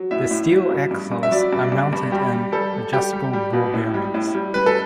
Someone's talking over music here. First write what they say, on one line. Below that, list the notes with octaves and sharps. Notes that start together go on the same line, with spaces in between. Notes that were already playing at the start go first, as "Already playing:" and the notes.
The steel axles are mounted in adjustable ball bearings.
Already playing: F#3
A2 E5
A2
F#3
G2
G2
G2
E5
F#3 D5
G2
G2
G2
G3 G4
G3
G3 A4
G3
G3 G4
G3
G3
B2
A2
G3
A2
G3
G3 B4
A4